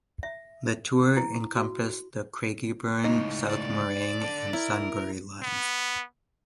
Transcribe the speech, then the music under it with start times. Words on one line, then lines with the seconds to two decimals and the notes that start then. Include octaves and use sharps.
The tour encompassed the Craigieburn, South Morang and Sunbury lines.
0.23 E5
1.17 E4
1.56 F#4
3.04 C#2 A2 D#4
3.50 D5
4.21 D4 A4
4.53 E4 A#4
5.42 B3